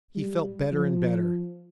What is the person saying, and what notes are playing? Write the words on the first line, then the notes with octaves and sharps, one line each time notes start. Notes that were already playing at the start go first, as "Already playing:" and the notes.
He felt better and better.
G3
F3